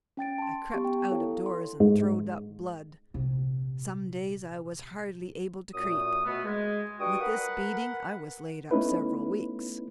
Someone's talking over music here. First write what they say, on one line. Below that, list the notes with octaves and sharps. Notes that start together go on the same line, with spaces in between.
I crept out of doors and throwed up blood; some days I was hardly able to creep. With this beating I was laid up several weeks.
C#4 G5 A6 D7
A5 C6
B3 G4 C#6
G5
E4 A4 C#5 F5
C6
G#2
A#1 C3
F#2 A#2 A3 D#6
B2 A3 B3
G#3
G2 F#4 G5 C#6 D#6
A#4 B4 F#5
A3 B3 C#4 D#4 E4 B4